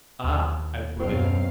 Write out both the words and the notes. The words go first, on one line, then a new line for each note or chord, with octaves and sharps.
"Ah!" I put in.
D#2
F#2 B2 C4 F5